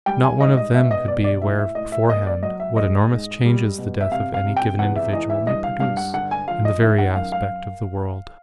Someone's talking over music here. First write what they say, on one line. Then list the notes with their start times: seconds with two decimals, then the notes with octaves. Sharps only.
Not one of them could be aware beforehand what enormous changes the death of any given individual may produce in the very aspect of the world.
0.06 G3 G5
0.23 G#5
0.40 G#2 D#5
0.57 D#5
0.74 B2 E5
0.91 D#5
1.08 B2 D5
1.24 D5
1.42 A2 E5
1.59 E5
1.75 A2 D#5
1.92 E5
2.10 A#3 D#5
2.27 D5
2.43 F#3 D#5
2.60 E5
2.77 G#3 D#5
3.10 G#2
3.45 G3
3.78 B2
4.01 E5
4.12 C3 F5
4.34 F5
4.46 C3
4.57 G5
4.79 E2 F#5
4.96 E5
5.13 E3 D#5
5.30 E5
5.47 G2 D#5
5.64 F5
5.80 G2 F5
5.97 F#5
6.14 D3 F#5
6.31 G#5
6.48 F3 F5
6.65 D#5
6.82 D#3 E5
6.98 F#5
7.16 F#2 F5
7.32 F5